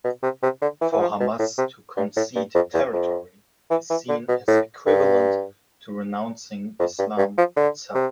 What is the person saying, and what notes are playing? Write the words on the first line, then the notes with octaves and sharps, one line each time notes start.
For Hamas, to concede territory is seen as equivalent to renouncing Islam itself.
B2
C3
C3
D3
E3
E3
F3
B2
A2
C3
G2
A2
G2
F2
E2
F2
E3
E3
D3
B2
A2
G2
F2
G2
G2
F3
D3
C3